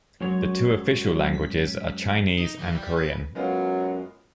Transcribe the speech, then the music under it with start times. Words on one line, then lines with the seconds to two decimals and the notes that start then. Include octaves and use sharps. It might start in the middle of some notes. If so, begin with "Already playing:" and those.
The two official languages are Chinese and Korean.
0.21 F#2 F#3 G#3 C#5
1.33 B6
2.37 D#4
2.58 E3
2.74 G3
2.97 B4
3.35 F#2 F#3 G#3 B3 F4